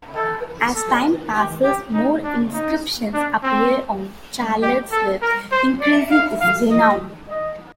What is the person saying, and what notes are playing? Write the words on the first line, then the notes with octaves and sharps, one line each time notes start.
As time passes, more inscriptions appear on Charlotte's webs, increasing his renown.
A4
A4
G4
G4
D#4
D4
D#4
D4
C4
G4
A4
A#4
C5
D5
F5
F5
D#5
D#5